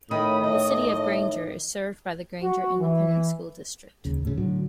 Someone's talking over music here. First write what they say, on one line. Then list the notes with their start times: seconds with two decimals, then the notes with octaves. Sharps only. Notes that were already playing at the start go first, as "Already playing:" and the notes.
The City of Granger is served by the Granger Independent School District.
0.11 A2 D#3 B5 D#6
0.44 D#3 D#5
2.42 F#4
2.80 E3
4.05 D#2 C#3
4.23 D1 A2 C#3
4.37 A2 D3 F#3